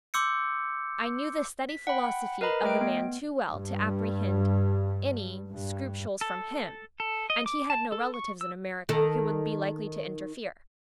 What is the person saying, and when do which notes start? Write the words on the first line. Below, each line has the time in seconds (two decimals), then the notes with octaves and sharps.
I knew the steady philosophy of the man too well to apprehend any scruples from him; and he had no relatives in America who would be likely to interfere.
0.14 C6 D6 E6 G6 C#7
1.69 B6
1.87 F#5 G5 B5
2.41 A#4 B4 D#5 A#5 B5
2.63 A3 D#5 G5 D7
2.81 B3
3.50 G2
5.49 G2
6.21 A4
7.00 A4
7.30 D#5
7.46 D6
7.70 A5
7.92 A4
8.14 C#6
8.41 E6
8.89 D#3 A4